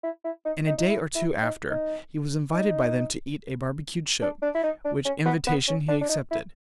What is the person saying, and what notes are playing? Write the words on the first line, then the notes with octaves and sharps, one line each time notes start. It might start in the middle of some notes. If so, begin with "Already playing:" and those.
In a day or two after, he was invited by them to eat a barbacued shoat, which invitation he accepted.
E4
E4
D#4
D#4
D#4
E4
E4
D#4
D#4
D#4
D4
D4
E4
D#4
D4
C#4
B3
B3
C#4
D4
D4
D#4
E4